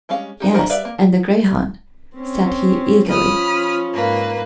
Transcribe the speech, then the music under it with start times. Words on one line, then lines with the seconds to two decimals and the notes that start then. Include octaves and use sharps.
"Yes, and the greyhound," said he eagerly.
0.09 G3 G#3 C#4 F5
0.40 D4 D#4 G4
0.54 D4 D#4 F#4 A#4 C5
0.70 G3 B4 D5 E5 F5
0.85 A#3
2.17 C4 C#4
3.08 F3 C#4 B5 D#6 F6
3.94 G#2 A#3 B4